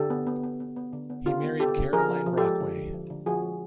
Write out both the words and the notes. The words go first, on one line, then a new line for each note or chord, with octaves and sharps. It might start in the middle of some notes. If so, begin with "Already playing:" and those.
He married Caroline Brockway.
Already playing: D3 G4 A4
B3
B3
B3
B3
B3
D3
B3
D3 F4 G4
B3
D3 G4 A4
D3
F3 G#4 A#4
F3
F3
G4 A4
G#3
D3
D3
F3
D3
F3 F#4 G#4
G#3